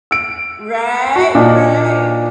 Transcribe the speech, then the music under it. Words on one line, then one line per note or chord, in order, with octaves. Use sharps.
Right, right.
E6 D7
F#4
A#2 D4 D#4